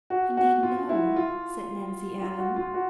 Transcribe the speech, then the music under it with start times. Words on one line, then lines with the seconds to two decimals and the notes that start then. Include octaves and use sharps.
"Indeed, no!" said Nancy Ellen.
0.10 F#4
0.37 F#4
0.63 F4
0.89 E4
1.16 F4
2.21 F4
2.39 F#4
2.56 F4
2.74 F#4